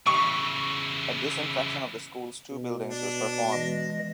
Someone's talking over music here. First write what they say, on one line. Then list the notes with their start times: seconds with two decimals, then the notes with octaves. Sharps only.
A disinfection of the school's two buildings was performed.
0.07 C#3 E3 C#6
2.51 B2
2.91 D4
3.53 E3 G#3 D#5